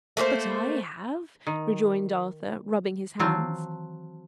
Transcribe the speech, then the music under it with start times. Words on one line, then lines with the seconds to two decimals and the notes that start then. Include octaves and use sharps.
'But I have,' rejoined Arthur, rubbing his hands.
0.17 A3 A#3 G#4 C5
1.47 D#3
3.19 D#3 E3 F#3 C4 F4 A5